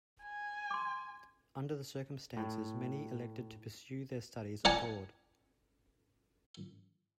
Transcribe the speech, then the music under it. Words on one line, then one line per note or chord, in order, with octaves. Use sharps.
Under the circumstances many elected to pursue their studies abroad.
G#5
C6 D6
A2
D5 F#5 G#5 A5